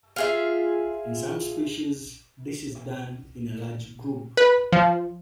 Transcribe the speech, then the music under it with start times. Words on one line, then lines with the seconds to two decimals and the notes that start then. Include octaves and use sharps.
In some species, this is done in a large group.
0.16 F4 G#4 E5
4.37 B4
4.73 F3